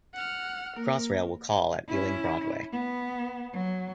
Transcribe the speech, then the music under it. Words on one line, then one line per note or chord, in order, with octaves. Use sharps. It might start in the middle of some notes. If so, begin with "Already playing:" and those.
Crossrail will call at Ealing Broadway.
F#5 F6
A#3 A#4
C#4 E4
B3
F#3